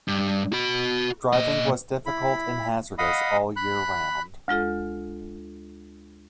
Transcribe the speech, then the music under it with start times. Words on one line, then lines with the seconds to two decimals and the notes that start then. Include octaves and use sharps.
Driving was difficult and hazardous all year round.
0.08 G2
0.53 F#4 B5
1.33 A#2 D#5
2.06 E4 B5
2.98 D#5 F5 F#5 B5 D#6
3.56 B5 F#6
4.48 D2 G#3 F4 A4